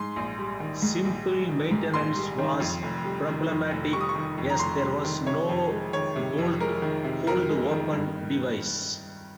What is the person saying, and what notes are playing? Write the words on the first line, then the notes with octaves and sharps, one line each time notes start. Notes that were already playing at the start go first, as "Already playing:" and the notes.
Simple maintenance was problematic as there was no bolt hold-open device.
Already playing: G#2 C6
A#1
G3
D#3
G#2
A#1
G3
D#3
G#2
A#1 C6
G3
D#3
F2
F1
G3
D#3
F2
F1
G3 C#6
D#6
C#6
D#3
F2
A#5
F1 C6
G3
D#3
C3 C#5
F2
G#3
D#3 C#5
C3
F2
G#3 A#4
D#3
C3
F2 A#4
G#3
D#3
G2